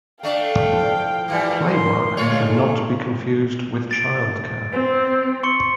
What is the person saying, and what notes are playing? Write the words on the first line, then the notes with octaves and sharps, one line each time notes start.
Playwork should not be confused with childcare.
A3 D4 F5 G5
F3 E4
G#2 E3 G3
A#4 C6
D2 A#2 G#3 A3 F4 C#5 F5
A6 D7
C4
C6 C#6 C#7